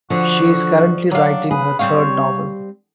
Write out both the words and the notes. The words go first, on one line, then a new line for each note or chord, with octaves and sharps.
She is currently writing her third novel.
D3 F3 F#4
F#3 D4 F5
G#4 B4
G3 C4 C#5 F5